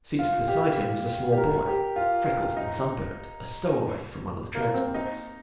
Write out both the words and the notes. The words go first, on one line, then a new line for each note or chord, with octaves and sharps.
Seated beside him was a small boy, freckled and sunburned, a stowaway from one of the transports.
F4
G4
G4
A#4
G4
F4
D#4
A#3
C4
D#4